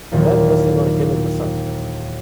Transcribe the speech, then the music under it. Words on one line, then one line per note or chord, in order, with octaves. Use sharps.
Men resting on a hill in the sun.
D#2 A#2 D#3 E3 F#3